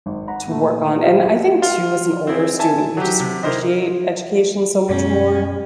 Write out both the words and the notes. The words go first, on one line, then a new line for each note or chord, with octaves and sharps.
to work on, and I think too as an older student, you just appreciate education so much more.
G#1
F#5 A#5 B5
A#2 A3
F4 G4 C5
F4
C4 E4 G#4
E5 G#5 A5
F#3 G4
C3
E4 A#4 C5 D#5
F#2 B2 G#3 C#4